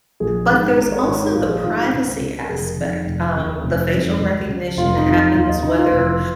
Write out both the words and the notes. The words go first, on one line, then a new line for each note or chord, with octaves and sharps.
but there's also the privacy aspect. Um, the facial recognition happens whether
A#1 G#4
G#2 D#3
G#1 A#4
C#5
G#2 D#3 A#4
D#4
A#1 F4
G#4
G#2 D#3 F4
F4
C#2
C#3
A#4
F1 G#4
F2 D#3
F1
D#2 C#3
F1
F2 D#3
C#2
C#3
F1 F4
D#4
F2 D#3 F4
D#4
D#2 F4
D#5
C#3 D#4
F4
F1